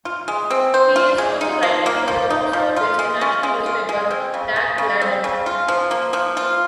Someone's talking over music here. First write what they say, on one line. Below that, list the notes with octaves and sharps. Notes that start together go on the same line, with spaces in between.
He is also writing for the Oslo-based national newspaper Dagbladet.
F4
G#3
C4
C5
F4
G#3
D#4
F3
A#3
F3
D#4
F3
F4
G#3
C#4
G#3
F4
G#3
C4
C#3
G#3
C#3
C4
C#3
F4
F3
A#3
F3
F4